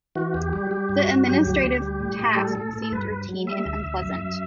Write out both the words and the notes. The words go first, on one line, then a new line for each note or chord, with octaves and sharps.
The administrative task seemed routine and unpleasant.
E3 F#4
E2 G4
G3 G4
G3 G4
G2
F#4
G2
F#3 G4
D2
D2
G3
A2
A2
G3 A4
A2
A2
A4
G2 B4
G2
F#3
G3 E5
D2
D2
F#2
F#2